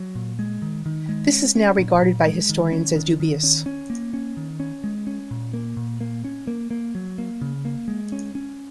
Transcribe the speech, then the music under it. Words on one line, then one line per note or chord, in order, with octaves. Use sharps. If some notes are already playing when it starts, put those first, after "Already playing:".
This is now regarded by historians as dubious.
Already playing: F#3
A#2
G#3
D#3
D#3
G#3
C#4
C#4
A#2
A#2
G#3
D#3
C#4
D#3
D#3
C#4
C#4
A#3
C#4
D#3
C#4
G#3
C#4
A#2
A#3
A#2
A#3
C#4
A#3
A#3
F#3
A#3
C#3
A#3
G#3
C#4
C#4